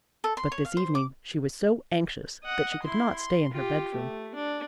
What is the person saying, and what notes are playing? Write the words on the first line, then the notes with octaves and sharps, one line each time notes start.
But this evening she was so anxious that she could not stay in her bedroom.
A4
C6
C#5
F5
C5
D6
D#5 F#5
E4 C6
C6
F4 G4
A3
D4